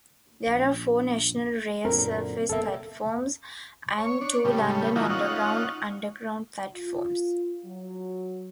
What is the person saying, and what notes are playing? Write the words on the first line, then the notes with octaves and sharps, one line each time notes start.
There are four National Rail surface platforms and two London Underground underground platforms.
A#1
F#2 A#2 D3 C4 A#4
F#1 B2 A#3 A4 E5
C#5
D4 C#5
A2 C#3 G3
E3 A#3 D#4 F4 F#4
C#4 D#4 F4 F#5
F4
F#3